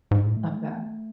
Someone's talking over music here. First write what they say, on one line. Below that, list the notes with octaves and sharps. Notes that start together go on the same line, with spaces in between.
Love that.
G#2
A2
A3
G#3
A3